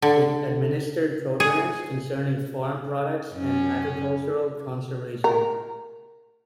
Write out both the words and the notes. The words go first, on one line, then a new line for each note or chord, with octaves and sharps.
It administered programs concerning farm products and agricultural conservation.
D3
G#4
F#2 C#4
A#4